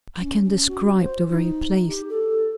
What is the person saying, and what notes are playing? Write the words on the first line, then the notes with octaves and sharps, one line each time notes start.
I can describe the very place.
C#4
C#4
F#4
C5
D#4
G4
A4